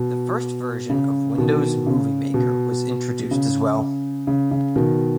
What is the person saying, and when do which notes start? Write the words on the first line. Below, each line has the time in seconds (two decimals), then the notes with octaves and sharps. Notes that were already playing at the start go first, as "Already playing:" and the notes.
The first version of Windows Movie Maker was introduced as well.
Already playing: B2
0.90 C#3
1.38 B2 D#3
1.86 C#3
2.34 B2
3.31 C#3
4.27 C#3
4.51 C#3
4.76 B2 D#3